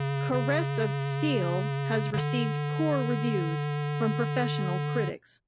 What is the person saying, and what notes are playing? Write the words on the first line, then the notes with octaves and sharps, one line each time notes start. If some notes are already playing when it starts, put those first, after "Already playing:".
"Caress of Steel" has received poor reviews from professional critics.
Already playing: C#3
C#3
C#3
D3